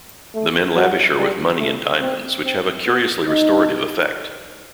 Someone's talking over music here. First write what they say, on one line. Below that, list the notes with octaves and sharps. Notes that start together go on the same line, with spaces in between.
The men lavish her with money and diamonds, which have a curiously restorative effect.
A3
F#3
G3
A3
C4
C4
B3
D#4